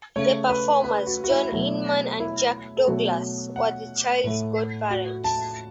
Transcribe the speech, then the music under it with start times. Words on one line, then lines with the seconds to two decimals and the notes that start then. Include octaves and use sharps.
The performers John Inman and Jack Douglas were the child's godparents.
0.16 C#3 A3 C#5
0.50 B4
0.84 B4
1.07 F#4
1.24 F#4
1.29 E4
1.52 B2 F#3 A3 E4
2.20 E4
2.77 A4
2.87 B2 F#3 A3 F#4
3.56 F#5
4.24 A2 A3
4.90 F#4
5.24 A5